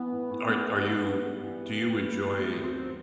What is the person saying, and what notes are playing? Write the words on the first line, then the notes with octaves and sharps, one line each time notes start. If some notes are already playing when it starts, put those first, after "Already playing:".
Are are you do you enjoy
Already playing: E3 B3
A2
A2
A3
E3
G2 B3
G2
G3
E3
G2
G2
G3
E3
A3 B3
D#2
C4
F#3